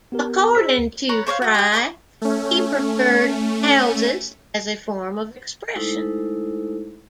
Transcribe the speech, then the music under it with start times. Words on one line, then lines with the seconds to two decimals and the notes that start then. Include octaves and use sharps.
According to Frey, he preferred houses as a form of expression.
0.12 B3 G4 A#4
0.55 G#4 C5 E6 B6
0.78 D2
1.09 B4 C#5 A#5
1.27 C5 C#5 D#5 F5
1.42 F#4 D#5
1.54 G4 G5
1.72 G#4 D#5 E5 D6
2.22 A3 C#4
5.75 G#3 A3 D#4 E4 A4 C5